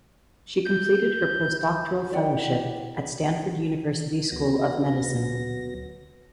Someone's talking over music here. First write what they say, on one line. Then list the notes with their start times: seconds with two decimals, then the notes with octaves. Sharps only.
She completed her postdoctoral fellowship at Stanford University School of Medicine.
0.65 G6
2.11 E4 G4 D5 F#5 G5
4.32 D2 F#3 B3 A#6